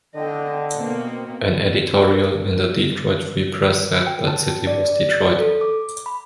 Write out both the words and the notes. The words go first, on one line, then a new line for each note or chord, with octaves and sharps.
An editorial in the "Detroit Free Press" said that city was Detroit.
D3 D#5 G5
B2 A#3 C4
A#4
G5
A5
D5
D5
A4
D6
B5